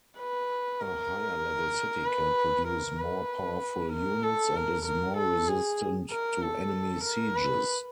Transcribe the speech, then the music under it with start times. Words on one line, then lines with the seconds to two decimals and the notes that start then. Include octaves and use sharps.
A higher-level city can produce more powerful units and is more-resistant to enemy sieges.
0.19 B4
0.80 A#4
2.06 B4
2.68 A#4
2.99 B4
3.93 A#4
4.23 A4
4.56 A#4
4.86 A#4
5.17 A4
5.48 G#4
6.11 A#4
6.43 A4
7.04 A#4
7.36 B4